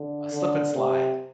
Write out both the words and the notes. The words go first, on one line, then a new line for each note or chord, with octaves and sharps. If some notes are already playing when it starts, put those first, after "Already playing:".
a Slip 'N Slide
Already playing: D3
D3
C3